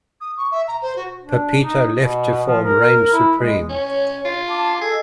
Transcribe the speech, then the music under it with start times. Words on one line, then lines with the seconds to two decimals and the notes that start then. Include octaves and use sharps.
Pepito left to form Reign Supreme.
0.21 D#6
0.37 C#6
0.51 E5
0.68 A#5
0.82 C5
0.96 F#4
1.22 D4
1.62 D#4
1.95 B2
2.47 F3
2.63 A#4
3.13 E4
3.39 G#3
3.69 C#4
3.84 C#5
4.25 F4
4.48 A5 D6
4.81 G#4 A4 D#5 E6